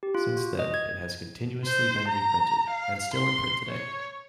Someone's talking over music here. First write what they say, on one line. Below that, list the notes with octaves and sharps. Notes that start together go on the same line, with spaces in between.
Since then, it has continuously been reprinted and still in print today.
G4
F4
F#4
D#5
G#6
C5
A#5
F5
C6
C#5